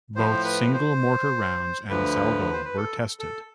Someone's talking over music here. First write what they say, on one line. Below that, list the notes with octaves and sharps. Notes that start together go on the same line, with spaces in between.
Both single mortar rounds and salvo were tested.
A2 F3 C5
B4
C5
D2 D3 F3 B4
C5
B4
A4
A4